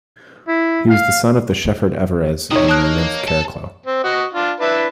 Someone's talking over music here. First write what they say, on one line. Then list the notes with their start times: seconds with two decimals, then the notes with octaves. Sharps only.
He was the son of the shepherd Everes and the nymph Chariclo.
0.48 E4
0.90 F5
2.51 A2 C3 D#4 C#5 D#6
2.69 A#3 A5 D#6 F#6
3.28 A4
3.86 C4
4.04 F#4 D#5
4.33 D4 F4
4.60 D4 E4 B4